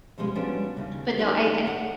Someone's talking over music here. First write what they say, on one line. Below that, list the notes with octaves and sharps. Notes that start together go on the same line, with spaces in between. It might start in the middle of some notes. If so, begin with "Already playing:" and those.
But no, I I
B2 F3 G3 G#3 C#4
F3 G3 B3 C#4 D4 F#4
D#2 C#3
D#3 G#3 C#4 D4
C#5 F#5